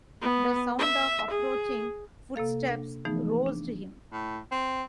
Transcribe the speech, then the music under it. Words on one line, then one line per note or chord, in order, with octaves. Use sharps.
The sound of approaching footsteps roused him.
B3
E5
G#4
C3 A#3 A4 F5
D4
E3 F3 A3 B3 D#4 G#4
D4
A2
C4